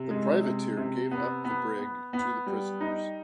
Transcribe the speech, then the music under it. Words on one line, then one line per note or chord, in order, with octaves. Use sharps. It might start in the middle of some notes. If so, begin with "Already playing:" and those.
The privateer gave up the brig to the prisoners.
Already playing: C3
G#3
C3
C3
B3
B3
B3
B3
G3
D#4